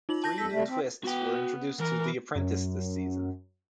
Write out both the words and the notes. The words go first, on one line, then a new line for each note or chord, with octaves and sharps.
Three new twists were introduced to "The Apprentice" this season.
D#4 F4 F#7
A5 G6 A#6
F2 A4 B6
C3 G3 A3
C4
B3 F#4 G5
E3 A#4
F#2